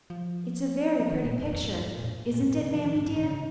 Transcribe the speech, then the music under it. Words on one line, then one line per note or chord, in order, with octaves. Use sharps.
'It's a very pretty picture, isn't it, mammie dear?'
F3
F3
D#3
A#2
F2
F2
G#2
F2
G#2
A#2
A#2
G#2
A#2
C#3
F3
D#3
G#2
G#2
D#3
C#3